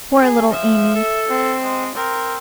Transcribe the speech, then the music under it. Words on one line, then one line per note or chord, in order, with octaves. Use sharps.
Poor little Amy!
G#4
F3 E5
A4
C4
G#3
C4 A#4